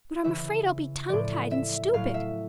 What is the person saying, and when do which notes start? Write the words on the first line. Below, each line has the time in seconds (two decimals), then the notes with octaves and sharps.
But I'm afraid I'll be tongue-tied and stupid.
0.24 C#3 E3 E5
1.09 A2 F3 D5
1.51 E5
1.93 A2 F#3 F5
2.14 E5